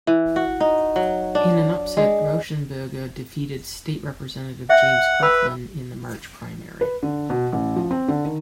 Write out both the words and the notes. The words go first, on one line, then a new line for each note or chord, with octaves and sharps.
In an upset, Rauschenberger defeated State Representative James Kirkland in the March primary.
E3
F#4
D#4
F#3
D4
G#3
E5 F#5 G5
B4 G5 B5 E6
B4
D3
B2
A1
F3
C4
D3
D#3